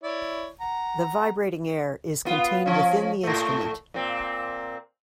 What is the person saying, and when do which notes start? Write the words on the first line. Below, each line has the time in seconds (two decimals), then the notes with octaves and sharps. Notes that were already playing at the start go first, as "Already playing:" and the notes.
The vibrating air is contained within the instrument.
0.03 E4 C#5 D5
0.61 F#5 A#5
2.25 B3 F4
2.66 F3 C#4
3.23 A2 A3
3.94 A#2 C4